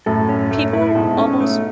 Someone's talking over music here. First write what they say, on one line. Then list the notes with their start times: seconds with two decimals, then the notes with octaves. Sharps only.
people ark almost
0.06 F#2 A2 A4
0.29 C#4
0.51 A3
0.73 E4
0.95 G#2 B2 A4
1.17 C#4
1.40 A3